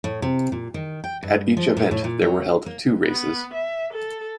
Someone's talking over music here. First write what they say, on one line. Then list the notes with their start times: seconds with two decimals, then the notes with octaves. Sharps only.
At each event there were held two races.
0.04 A2
0.22 C3
0.52 A#2
0.74 D#3
1.04 G5
1.23 G2
1.57 F3
1.77 A#2
1.91 A2
2.04 A#2
2.22 F#3
2.66 A#3
3.04 B3
3.54 E5
3.93 A4